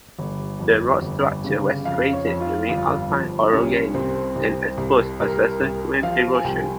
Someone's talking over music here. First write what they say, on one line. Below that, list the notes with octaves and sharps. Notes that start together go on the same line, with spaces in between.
The rock structure was created during the Alpine orogeny and exposed by subsequent erosion.
G1
F2
G1
C#3
F2 F5
C#5
F2
F4
G1 F4
F3
C2 C#4
C2 C4
C2
C2
C2 A#4
C2
F3 F5
G#5
C2 G5